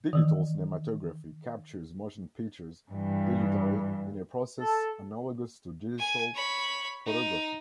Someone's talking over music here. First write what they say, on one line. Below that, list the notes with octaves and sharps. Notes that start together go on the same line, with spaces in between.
Digital cinematography captures motion pictures digitally in a process analogous to digital photography.
D#3 E3
G2 E3
A4
G#5
C#5 B5
D#4